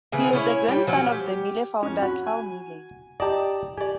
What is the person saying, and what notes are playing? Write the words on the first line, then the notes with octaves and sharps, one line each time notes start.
He was the grandson of the Miele founder Carl Miele.
C#3 E3 G#4
C#4 E4 C#5
G3 G5
F3 F#3 C#4
G4
F2 C#4
F#4 B5
G#5
G4 D5 D#5 A5 A#5
G4 D5 G#5